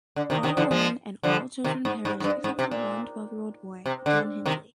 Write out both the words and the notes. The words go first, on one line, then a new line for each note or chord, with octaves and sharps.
All women and all children perished except for one twelve-year-old boy, John Hindley.
D3
C3 D#3
C3 D#3
D3 F3
F3 G#3
D3 F3
C3 D#3
G#2
G#2
G#2
G2
G#2
C3
A#2
C3
D3
C3 D#3